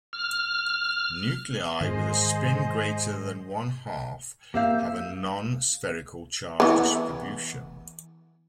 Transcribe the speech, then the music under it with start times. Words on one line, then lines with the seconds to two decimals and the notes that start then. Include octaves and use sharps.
Nuclei with a spin greater than one-half have a non spherical charge distribution.
0.13 F6
1.81 G#2 D#3 G#4 C5 D#5
4.54 A#3 G4 E5 F5 G6
6.60 E3 B3